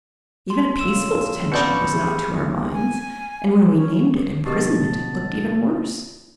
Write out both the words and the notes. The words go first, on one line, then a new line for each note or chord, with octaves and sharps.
Even a peaceful detention was not to our minds, and when we named it imprisonment it looked even worse.
C6
F2 A#2 C#3 E6 E7
B2 C#4 F4 D5 B5 G6 C#7
E4 G4 G#4
G#5
C#4
B2 D3 F3 G4 A#4 D#5 A5